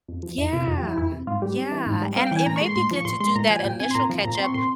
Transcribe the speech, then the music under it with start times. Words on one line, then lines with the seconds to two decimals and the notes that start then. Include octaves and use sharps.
Yeah. Yeah, and it may be good to do that initial catch-up
0.08 F2
0.23 F3
0.38 F2 E4
0.53 C3 F4
0.67 F2 F4
0.78 G4
0.83 F3 E4
0.98 F2 E4
1.12 C3
1.27 G#2 F4
1.42 G3 G4
1.57 C4
1.72 E3
1.86 G#2
2.02 G3
2.16 C4 F5
2.26 G5
2.31 E3 G#5
2.46 A#2 A#5
2.56 C#6
2.61 G#3 C6
2.76 A#2 C6
2.91 F3 C#6
3.05 A#2 C6
3.20 G#3 C6
3.35 A#2 A#5
3.50 F3 G#5
3.64 A#2 G5
3.80 C4 G#5
3.91 C6
3.95 A#2 A#5
4.10 F3
4.25 A#2 A#5
4.35 C6
4.39 C4
4.44 C#6
4.54 A#2 C6